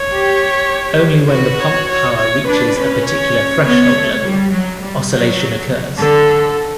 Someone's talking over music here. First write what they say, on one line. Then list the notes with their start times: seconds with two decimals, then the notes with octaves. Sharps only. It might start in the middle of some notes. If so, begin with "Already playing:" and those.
Only when the pump power reaches a particular threshold level, oscillation occurs.
Already playing: C#5
0.12 G4
1.30 F#4 B4
1.60 C#5
1.89 C#5
2.17 C#5
2.47 D4 B4
2.76 C#4
3.06 C#5
3.64 B3 C#5
3.93 A3
4.23 G3
4.52 F#3
4.81 G3
5.11 F#3
5.98 D3 A4